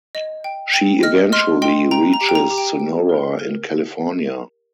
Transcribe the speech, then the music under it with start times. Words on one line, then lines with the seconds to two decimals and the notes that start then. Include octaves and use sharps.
She eventually reaches Sonora in California.
0.15 D#5
0.44 G5
0.74 G5
1.03 D#5 F6 A#6
1.32 D#5 C6 F6
1.62 D#5 G5 C6
1.91 G5 A#5
2.14 A#5
2.21 G4
2.29 G5
2.35 A#5
2.51 G4
2.58 G5
2.80 G5
3.09 A#4
3.39 A#4